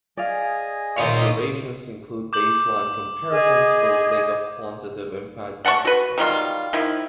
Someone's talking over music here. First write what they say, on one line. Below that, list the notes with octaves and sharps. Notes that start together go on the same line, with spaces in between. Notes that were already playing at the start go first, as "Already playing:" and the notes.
Observations include baseline comparisons for the sake of quantitative impact assessments.
G#4 D5 D#5 F5 G#5
A#2 D#3 D#4 F4 C5 C#5 D#5
D6 G6 F#7
G#4 D#5
D5 F#5 A5 C#6
F#4 B4
D#3 F#3 G3 F4
D#3 F3 E4